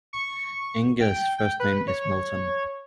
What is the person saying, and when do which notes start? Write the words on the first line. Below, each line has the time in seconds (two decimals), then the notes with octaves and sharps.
Inge's first name is Milton.
0.13 C#6
1.01 G5
1.38 G5
1.60 B4
1.87 C#5